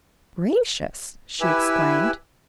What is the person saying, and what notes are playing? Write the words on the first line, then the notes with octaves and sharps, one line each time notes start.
"Gracious!" she exclaimed.
E4 G4 B4 G#5 E6